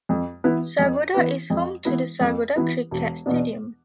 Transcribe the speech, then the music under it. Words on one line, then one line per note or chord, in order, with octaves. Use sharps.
Sargodha is home to the Sargodha Cricket Stadium.
F2
E3 B3 E4 B4
F2
E3 B3 E4 B4
F2
E3 B3 E4 B4
F2
E3 B3 E4 B4
E1
E2 B2 B3 D4